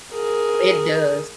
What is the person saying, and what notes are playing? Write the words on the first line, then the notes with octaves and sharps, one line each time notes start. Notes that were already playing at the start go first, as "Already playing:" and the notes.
It does.
G#4 A#4